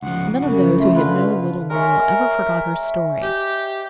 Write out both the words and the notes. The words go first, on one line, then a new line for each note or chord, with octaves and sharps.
None of those who had known little Nell ever forgot her story.
C#2 F3 F#5
F#2 C#3
A3 F4
D3 F4 B4
G#3 A#4 C#5 E5
E5
G4